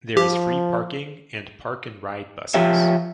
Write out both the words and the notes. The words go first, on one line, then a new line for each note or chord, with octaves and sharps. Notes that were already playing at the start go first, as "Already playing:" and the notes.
There is free parking and park and ride buses.
F3 G4
F3 F4 G4 C#5 E5